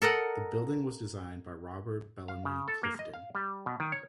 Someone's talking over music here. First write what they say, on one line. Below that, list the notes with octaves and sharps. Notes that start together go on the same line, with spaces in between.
The building was designed by Robert Bellamy Clifton.
A4 A#4 D#5 F#5
F5
C#3
A4
A#3
D#5
F5
G3
B2
D#3
C#5